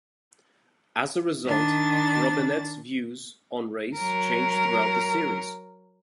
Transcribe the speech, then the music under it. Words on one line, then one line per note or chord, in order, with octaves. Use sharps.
As a result, Robinette's views on race change throughout the series.
D#3 D4 A6
F#3 A#4